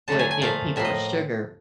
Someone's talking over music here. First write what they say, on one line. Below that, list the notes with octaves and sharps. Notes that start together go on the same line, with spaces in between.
wi if people with sugar,
D3 F#3 A3 A5
G#5
G#5
A#2 F3 A3 F5
A2 F3 A#3 E5
D#5